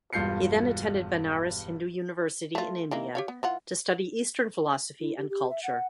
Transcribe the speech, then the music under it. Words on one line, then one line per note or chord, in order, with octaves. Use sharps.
He then attended Banaras Hindu University in India, to study Eastern philosophy and culture.
E1 G2 F4 G6 C7 C#7
A3 F4
D#3 E3 A#3
G4 C#5 F5
B3
E3 F4 F#5
E4
G4
G4
E5
F#5